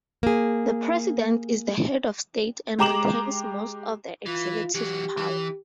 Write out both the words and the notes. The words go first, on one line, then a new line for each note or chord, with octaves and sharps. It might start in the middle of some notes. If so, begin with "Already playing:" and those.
The President is the head of state and retains most of the executive power.
A#3 G#4
G#3 G4 A#5 D6 E7 F#7
E3 F4
E3 F#3 G4
E3